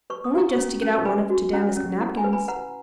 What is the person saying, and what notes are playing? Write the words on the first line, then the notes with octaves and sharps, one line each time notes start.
'Only just to get out one of t' damask napkins.'
B4 C#6
D#6
F#4 A#5 C#6
C#4
C#4
C#6
B4 G#5 B5
F#4
C#4 F#5 A#5
C#4
E4 F#5 A#5
G#5 B5
B4
G#5 B5
B4 F#5 A#5